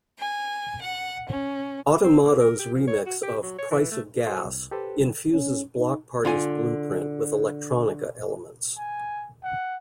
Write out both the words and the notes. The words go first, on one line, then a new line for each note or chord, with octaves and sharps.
Automato's remix of "Price of Gas" infuses Bloc Party's blueprint with electronica elements.
G#5
F#5
C#4
C4
A#3
A#4
G4
F3
C#5
F#4
G4
F#3
C#5
E3
A3
F#4 A4 C5 F#5
C2
G4 A4 B4 C5
D3 F#3
C#4
D#4
D3 F4 G#5
G#5
F#5